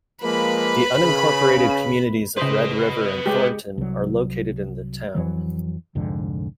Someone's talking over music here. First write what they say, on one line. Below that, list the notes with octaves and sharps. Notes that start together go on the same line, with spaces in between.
The unincorporated communities of Red River and Thornton are located in the town.
F3 G#3 A#3 B4 B5
C#3
C#3 B4 C5 D#5
G#3 G4
C2 F#3
F2 E3 F#3
C2 F2 G#2 D3